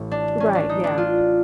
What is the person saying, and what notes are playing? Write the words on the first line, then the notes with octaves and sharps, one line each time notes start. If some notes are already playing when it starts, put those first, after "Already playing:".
Right. Yeah.
Already playing: A1 A2 E3
D4
C#4
D4
D#4
D4
F4